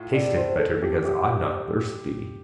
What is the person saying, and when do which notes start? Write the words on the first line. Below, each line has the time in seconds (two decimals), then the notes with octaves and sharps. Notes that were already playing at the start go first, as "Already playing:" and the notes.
Taste it better because I'm not thirsty.
Already playing: A2 F4
0.13 D5
0.37 C5
0.59 A4
0.82 G4
1.05 G4